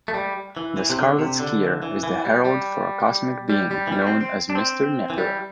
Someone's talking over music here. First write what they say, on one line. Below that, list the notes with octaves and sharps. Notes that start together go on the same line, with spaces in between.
The Scarlet Skier is the herald for a cosmic being known as Mr. Nebula.
A3
G3
E3
E3
C3
D3
C3
D3
E3
E3
G3
G3
G3
G3
E3
G3
C4
C4
D4
C4
E3
G3